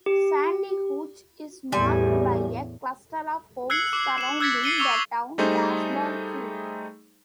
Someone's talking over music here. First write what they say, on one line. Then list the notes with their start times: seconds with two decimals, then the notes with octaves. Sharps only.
Sandy Gulch is marked by a cluster of homes surrounding the town baseball field.
0.06 G4
1.72 E2 A2 G3 G#5
3.70 E6 F#6 G#6 C7 C#7 F#7
3.93 D6
4.18 E7 F#7
4.40 E6 F#6 G#6 A6 B6 C#7
4.64 C7 C#7 D#7 G7
4.78 C#6 D6 E6 F7 G7
5.38 G3 A3 D#4 G#4 C5